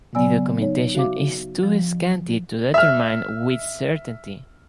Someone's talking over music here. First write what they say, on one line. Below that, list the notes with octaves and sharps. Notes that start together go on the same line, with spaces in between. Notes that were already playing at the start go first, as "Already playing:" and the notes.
The documentation is too scanty to determine with certainty.
C#3 F#3 B3 D5 G#5 E6
D#4 C#5
F#4 E5 F5 D6
F3
E5 F6